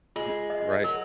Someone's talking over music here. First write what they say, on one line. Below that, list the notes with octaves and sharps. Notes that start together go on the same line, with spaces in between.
M Right.
G#3 F4
D#5
F#3 A#4